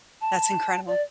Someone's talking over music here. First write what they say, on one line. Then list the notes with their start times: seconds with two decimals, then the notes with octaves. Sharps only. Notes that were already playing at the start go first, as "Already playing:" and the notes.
That's incredible.
0.21 A5
0.87 D5